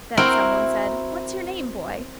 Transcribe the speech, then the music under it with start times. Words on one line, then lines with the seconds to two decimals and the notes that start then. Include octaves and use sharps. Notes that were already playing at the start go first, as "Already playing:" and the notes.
Then someone said, "What's your name, boy?"
0.17 C4 E4 F#4 A#4 G5